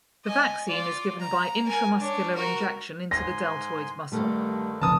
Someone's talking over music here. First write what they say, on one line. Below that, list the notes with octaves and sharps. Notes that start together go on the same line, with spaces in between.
The vaccine is given by intramuscular injection into the deltoid muscle.
D#5 G#5
F4 D5
A#5
A#4 G#5
D4 C#5
F#4 A#4
G#2 G#5 C6 A#6
G2 D3 D#3 G3 A3
F1 A5 D#6